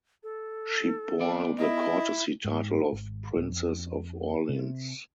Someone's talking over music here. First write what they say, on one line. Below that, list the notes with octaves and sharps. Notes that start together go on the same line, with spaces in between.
She bore the courtesy title of Princess of Orleans.
A4
B3 D5
E4 D#5
G#2
G#1
D1
F2
C3